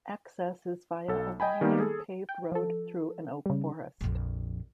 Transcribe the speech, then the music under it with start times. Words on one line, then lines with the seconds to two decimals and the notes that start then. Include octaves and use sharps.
Access is via a winding paved road through an oak forest.
1.08 B1 A4
1.40 D#5 G5 G#5 B5
1.61 D#3 G3 A#3 B3 D#4 G4
1.80 G#4 A4
2.29 G5
2.52 F3 A4
3.46 C#3 G3
4.01 A#1 F2